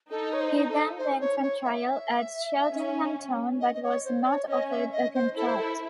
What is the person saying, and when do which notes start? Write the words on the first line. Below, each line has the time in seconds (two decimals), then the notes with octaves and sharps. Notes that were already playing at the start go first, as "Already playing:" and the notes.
He then went on trial at Cheltenham Town, but was not offered a contract.
0.11 D#4 A4
0.33 C#5
0.40 C5
0.69 A4
0.98 C5
1.20 C#5
1.42 C#5
1.64 E5
2.73 C#4
3.60 D#5
3.75 D#5
3.83 C#5
4.05 C5
4.22 D#5
4.26 C#5
4.48 C#4 D#5
4.70 E5
4.92 D#5
5.15 C5
5.36 E4 A4
5.47 C5
5.57 A4